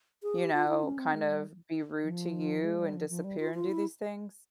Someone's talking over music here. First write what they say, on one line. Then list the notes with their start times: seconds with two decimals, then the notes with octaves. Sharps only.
you know, kind of be rude to you and disappear and do these things?
0.23 G#4
0.38 G4
0.53 F4
0.68 E4
0.83 C#4
0.99 C4
1.14 G#3
1.29 G3
2.04 F3
2.64 G#3
2.79 G3
2.94 F3
3.09 F3
3.24 G3
3.39 F4
3.54 F4
3.69 E4